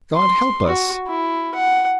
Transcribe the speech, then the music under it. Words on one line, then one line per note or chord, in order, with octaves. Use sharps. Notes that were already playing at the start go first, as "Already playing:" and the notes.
God help us!
C6
F#4
E4
F#5